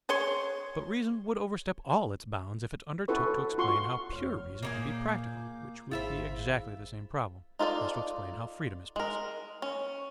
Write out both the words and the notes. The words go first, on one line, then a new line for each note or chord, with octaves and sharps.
But reason would overstep all its bounds if it undertook to explain how pure reason can be practical, which would be exactly the same problem as to explain how freedom is possible.
G#4 C#5 C6
E4 F#4 A4 B4 C#6
F4 F#4 C6 C#6
F1 C#5 F6
A#2 A#3 D#4 G#4 D6 G6
G#1 E4 F4 G#4 C5 E5 B5
D#4 F4 A4 B4 D5
G#3 A#4
C#4